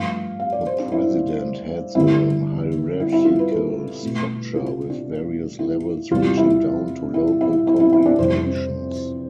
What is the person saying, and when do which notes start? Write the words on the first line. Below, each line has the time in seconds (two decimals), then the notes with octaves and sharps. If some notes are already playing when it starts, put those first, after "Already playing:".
The president heads a hierarchical structure with various levels reaching down to local congregations.
Already playing: G2 F3 A3 F5
0.40 F5
0.52 D5
0.67 C5
0.80 D4
0.92 E4
1.95 G2 D3 G3 E4
3.00 E4
3.13 E4
3.25 F4
3.39 B4
3.52 A4
4.03 B2 A3
4.56 F4
4.90 D4
5.59 E4
6.11 E2 C3 G3 F4
6.37 E4
7.14 E4
7.41 E4
7.67 E4
7.80 E4
7.93 E4
8.06 D4
8.19 F2 C3 E3 G3 C5